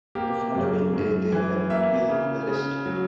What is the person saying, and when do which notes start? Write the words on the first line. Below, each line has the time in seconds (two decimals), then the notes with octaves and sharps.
The following day, they had Tweed arrested.
0.15 A#3 G4
0.55 F#2
0.93 F#2
1.32 E3
1.70 A#3 E5
2.09 C#3
2.48 C#3
2.86 F#3